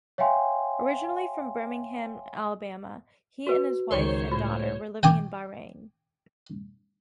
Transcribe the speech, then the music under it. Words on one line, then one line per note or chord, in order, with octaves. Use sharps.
Originally from Birmingham, Alabama, he and his wife and daughter were living in Bahrain.
C#5 E5 F5 G5 G#5 C6
F#4 B4
C#2 D#3 C5 C#5
A2 F4
G5 G#5 D6